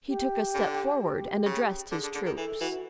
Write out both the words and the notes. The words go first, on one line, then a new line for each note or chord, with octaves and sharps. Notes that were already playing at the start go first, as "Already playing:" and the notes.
He took a step forward and addressed his troops.
G4
D3
G4
C#3
D3 G#4
D3
D3
D#3
E3 A4
E3 F#4